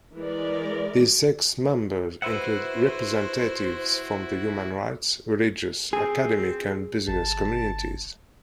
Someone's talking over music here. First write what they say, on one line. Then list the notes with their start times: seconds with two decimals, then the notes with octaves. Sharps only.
These six members include representatives from the human rights, religious, academic, and business communities.
0.16 E3 G#3 A#4 D5
2.22 E4 F#4 B4 C5 E5 F#5
5.93 C4 G#4
7.08 G1 A5